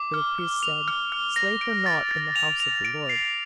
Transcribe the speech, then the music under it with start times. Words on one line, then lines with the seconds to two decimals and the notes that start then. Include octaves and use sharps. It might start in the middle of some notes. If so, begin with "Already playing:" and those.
For the priest said, Slay her not in the house of the Lord.
Already playing: D6
0.14 F6
0.38 F6
0.63 F7
0.88 F6
1.12 F6
1.36 A#6
1.61 D7
1.86 A6
2.11 A6
2.36 F7
2.60 F7
2.85 D7
3.09 C7